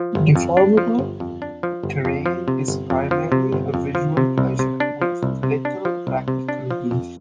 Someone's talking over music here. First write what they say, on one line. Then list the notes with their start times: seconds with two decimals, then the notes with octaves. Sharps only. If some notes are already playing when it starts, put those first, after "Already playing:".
Deformable terrain is primarily a visual pleasure, with little practical use.
Already playing: F3
0.15 G1
0.35 F2
0.57 D4
0.77 F3
0.99 G1
1.20 F2
1.42 D4
1.63 F3
1.83 G1
2.05 F2
2.26 F3
2.48 C3
2.68 G1
2.90 F2
3.11 F3
3.32 C3
3.52 G1
3.74 F2
3.95 F3
4.17 C3
4.38 C2
4.59 C3
4.80 D4
5.01 F3
5.23 C2
5.43 C3
5.65 D4
5.85 F3
6.07 C2
6.28 C3
6.49 D4
6.70 F3
6.91 F2